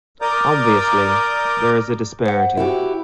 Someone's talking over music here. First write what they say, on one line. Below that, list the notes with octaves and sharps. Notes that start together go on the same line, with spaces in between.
Obviously, there is a disparity.
A#4 D5 A#5 D6 D#6 G6
C5 F#5
E4 F#4 G4